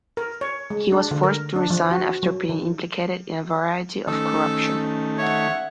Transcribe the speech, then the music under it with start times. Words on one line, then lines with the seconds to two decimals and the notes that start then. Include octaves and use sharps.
He was forced to resign after being implicated in a variety of corruption.
0.17 A#4
0.41 C#5
0.70 G#3
0.92 D4
1.11 D3
1.23 A#4
1.56 D4
1.70 F3
1.91 F#4
2.23 F#3
2.49 D#3
4.07 D#3 A3 C#4 A4
5.18 C#5 E5 F#5